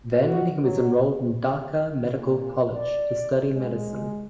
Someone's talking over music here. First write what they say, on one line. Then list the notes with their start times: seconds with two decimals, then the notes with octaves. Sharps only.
Then he was enrolled in Dhaka Medical College to study Medicine.
0.17 F#4
0.63 F#3
2.11 A#2
2.72 D5
3.54 G#3